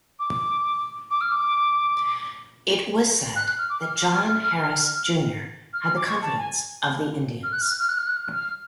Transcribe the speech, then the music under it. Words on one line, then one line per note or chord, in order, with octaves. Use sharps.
It was said that John Harris Junior had the confidence of the Indians.
D6
D6
F6
D6
F#6
F#6
F6
D6
F6
F6
F6
D6
C#6
A5
G#5
F6
F#6
F6
F#6
F6
F#6
F6
F#6
F6
F6